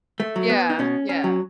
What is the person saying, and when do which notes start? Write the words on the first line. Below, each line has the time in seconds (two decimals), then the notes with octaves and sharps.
Yeah, yeah.
0.20 A3
0.36 F#3
0.49 B3
0.70 D#4
0.79 B2 C#4
1.09 C#4
1.24 F#3